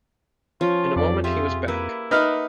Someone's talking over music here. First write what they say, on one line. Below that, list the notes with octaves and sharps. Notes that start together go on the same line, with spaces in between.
In a moment he was back.
F3 C#4 F4 C#5
F2 D5
F4 G4 G#4 E5
A#3 E4 B4
D#4 B4 E5 F#5 D6 F6